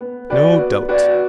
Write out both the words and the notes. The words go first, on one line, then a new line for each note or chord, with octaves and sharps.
No doubt.
B3
F#4 B4 D5
B3
F#4 B4 D5